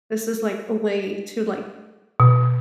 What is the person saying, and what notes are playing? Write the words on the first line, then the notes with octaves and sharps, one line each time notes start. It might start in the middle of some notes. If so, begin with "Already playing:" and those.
this is, like, a way to, like,
B2